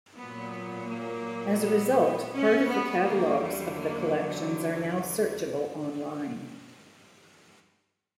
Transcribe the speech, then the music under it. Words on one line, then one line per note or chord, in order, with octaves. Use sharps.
As a result, part of the catalogues of the collections are now searchable online.
A#2 F#3 B3
A#3
B3
C#4
B3
E2 D3 F#3 A#3
G3
A#3